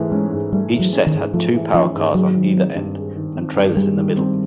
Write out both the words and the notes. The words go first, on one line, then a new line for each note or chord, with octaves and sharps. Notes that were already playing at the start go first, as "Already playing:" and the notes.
Each set had two power cars on either end and trailers in the middle.
Already playing: G#2 E3 A3
G#3 C#4
G#2
G3 A3
E3
F#3
C#4
D#3
G#2
F3 A3
E3
F3 C#4
G#2
F#3 G#3
D#3
C4
G2
G#3
D#3
C4
G2
G3 G#3
D#3
C4